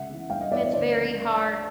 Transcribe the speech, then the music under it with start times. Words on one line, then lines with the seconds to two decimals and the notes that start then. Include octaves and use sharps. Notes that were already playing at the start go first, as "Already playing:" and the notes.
Mm, it's very hard,
Already playing: C#2 E5 F#5
0.09 C#3 E3
0.30 G2 F5 G5
0.41 D#5 F5
0.52 E3 D5 E5
0.62 C#5 D#5
0.73 D2 C5 D5
0.94 C#3 F3